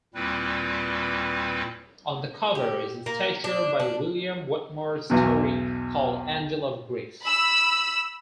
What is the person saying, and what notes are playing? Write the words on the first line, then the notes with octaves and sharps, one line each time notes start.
On the cover is a statue by William Wetmore Story called "Angel of Grief".
D#2 A#2 G3 C4 E4 B4
G4
A#3
D4
D4
B1 E2 B2
B5 E6